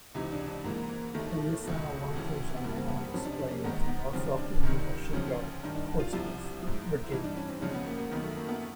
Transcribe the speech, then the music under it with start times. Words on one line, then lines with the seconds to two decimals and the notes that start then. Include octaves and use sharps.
Her missile launchers are now on display at the Norfolk Naval Shipyard, Portsmouth, Virginia.
0.14 C#2 C3 E3 D#4
0.32 D4
0.48 D4
0.64 G#2 E3 A#3
0.90 A#3
1.14 D#2 D#3 A3
1.65 C#2 B2
2.14 D2 C#3 E3
2.56 B3
2.64 G2 E3 A#3
2.77 C4
2.88 B3
3.01 C4
3.14 F2 C3 F3 C#4
3.26 D4
3.39 C#4
3.51 A#3
3.64 G#2 D#3 B3
3.88 B3
4.13 D#2 C#3 F3 C4
4.38 D4
4.63 C#2 C3 D#3
5.13 D2 C#3 F3 C#4
5.63 G2 D#3 D4
5.75 D4
6.00 F4
6.13 C2 C3 F3 E4
6.63 G#2 F3
7.03 E4
7.11 G2 E3 D#4
7.24 D4
7.37 C#4
7.49 C4
7.62 C#2 C#3 F3 C#4
7.74 B3
7.86 A#3
7.99 A#3
8.12 F#2 D#3 B3
8.24 A3
8.37 A#3
8.48 B3